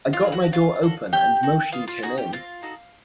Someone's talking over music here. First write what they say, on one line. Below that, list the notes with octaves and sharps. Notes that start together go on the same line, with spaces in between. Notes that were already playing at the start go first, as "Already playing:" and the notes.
I got my door open and motioned him in.
F4 F5
E4 G#4
F#4 F#5
C#4 F4 F5
F#4 A4
C#4 G4 G5
F#4 A4
B3 F4 F5
F4 F5
D#4 F#4 G#4 F#5
G4 G5
C4 F4 F5
D#4 F#4 A4